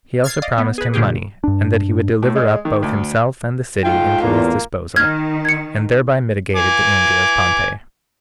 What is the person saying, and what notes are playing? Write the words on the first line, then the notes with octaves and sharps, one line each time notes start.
He also promised him money, and that he would deliver up both himself and the city into his disposal, and thereby mitigated the anger of Pompey.
F6 G#6 A6 C7
D5 D#5 F5
B3
G#4 B4
A#2 D3 F4 G4 G#4
G2 D4
A2
G#3
D#3
D2
G#2 A3 F4 G5
E2 A#3
D#3 F6 G#6
G#6 C#7
G#5 D6